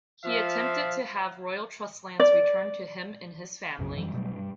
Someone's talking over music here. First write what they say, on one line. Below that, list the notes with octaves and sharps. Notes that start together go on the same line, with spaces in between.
He attempted to have royal trust lands returned to him and his family.
F3 F4 E5 F5
D5
B1 F#2 C#3 F#3
F#2 E3 F#3 G3
B2 F#3 G3 A3
G2